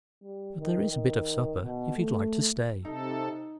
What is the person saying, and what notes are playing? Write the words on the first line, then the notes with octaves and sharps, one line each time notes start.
But there is a bit of supper, if you like to stay.
G3
D#3
D#3
B2
A3
C3 D#4 A4